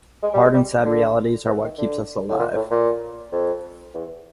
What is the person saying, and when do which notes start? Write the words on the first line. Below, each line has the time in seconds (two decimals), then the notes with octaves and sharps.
Hard and sad realities are what keeps us alive.
0.23 G#3
0.34 G3
0.44 G#3
0.54 G3
0.85 D3
1.47 E3
1.63 D#3
1.78 D3
2.29 A2
2.40 A#2
2.55 A2
2.71 A#2
3.32 F2
3.94 E2